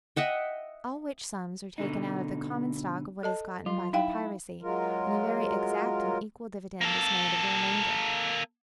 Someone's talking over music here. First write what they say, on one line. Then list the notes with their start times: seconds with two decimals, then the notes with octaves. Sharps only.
All which sums are taken out of the common stock of what is gotten by their piracy, and a very exact and equal dividend is made of the remainder.
0.16 D#5 E5 F#5 G5
1.78 B2 D3 D#4
3.23 A4 D#5 A5
3.66 F#3 F4
3.93 D#4 E4 F5 G5
4.63 F#3 G#3 F4 A#4
6.81 A#3 A4